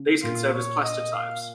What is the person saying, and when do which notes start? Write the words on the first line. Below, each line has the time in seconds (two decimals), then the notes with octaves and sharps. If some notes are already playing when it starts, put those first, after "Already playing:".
These can serve as plastotypes.
Already playing: C#3
0.23 A#2 F4
0.53 C#5
0.83 D#5
1.13 F5